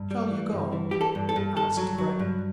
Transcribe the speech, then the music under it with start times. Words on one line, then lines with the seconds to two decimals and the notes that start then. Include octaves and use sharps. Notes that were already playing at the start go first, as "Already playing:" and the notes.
"Shall you go?" asked Breton.
Already playing: G2
0.11 G3
0.31 E3
0.52 G2
0.72 E3
0.91 E3 G4
1.01 A4
1.15 G2
1.29 A4
1.36 G2
1.56 G2 A4
1.77 F#3
1.98 F#3
2.19 G2